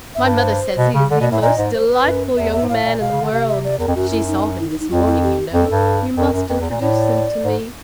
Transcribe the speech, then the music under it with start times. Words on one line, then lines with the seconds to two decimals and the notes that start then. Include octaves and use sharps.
My mother says he is the most delightful young man in the world; she saw him this morning, you know; you must introduce him to me.
0.15 G2 E5
0.26 B4
0.36 C5
0.78 B2
0.94 C#3
1.11 D3 D5
1.21 B2 D5
1.31 A2 E5
1.41 A#2 D#5
1.58 G#2
1.73 C5
1.89 B4
2.05 F#2
2.37 E2 E5
2.52 E5
2.62 G#2
2.69 A2 F5
2.84 A#2
3.00 B2 F5
3.11 C#3
3.21 D3
3.32 C3 F5
3.48 E5
3.64 D5
3.78 E2 A#4
3.88 F2
3.95 F#2 F#4
4.12 E4
4.27 D#4
4.59 E4
4.70 D#4
4.80 D#4
4.90 F2 F4
5.06 E4
5.23 G4
5.54 F2 A4
5.70 G2
6.17 F2 A#4
6.33 F#2
6.49 F2 B4
6.60 E2
6.70 A#2
6.81 A2 D5
7.44 G#2